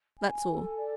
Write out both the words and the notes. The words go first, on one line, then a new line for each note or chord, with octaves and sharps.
That's all.'
G#5
A4
D5